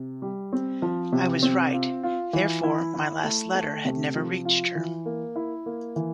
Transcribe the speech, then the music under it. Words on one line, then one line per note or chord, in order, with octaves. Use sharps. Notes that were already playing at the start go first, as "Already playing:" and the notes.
I was right, therefore, my last letter had never reached her.
Already playing: C3
G3
C4
F3
C3
C4
F4
F4
E3
E4
E4
A3
A3
C3
F3
F4
E3
A#3
E4
A#3
E3